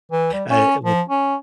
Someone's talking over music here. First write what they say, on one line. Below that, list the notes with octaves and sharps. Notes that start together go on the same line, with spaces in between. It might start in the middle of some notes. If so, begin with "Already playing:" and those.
uh, with
E3
G3
C#4
F3
C#4